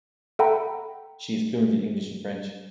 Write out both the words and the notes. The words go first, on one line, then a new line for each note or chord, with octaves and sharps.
She is fluent in English and French.
A4 E5 F#5 G5 A#5 B5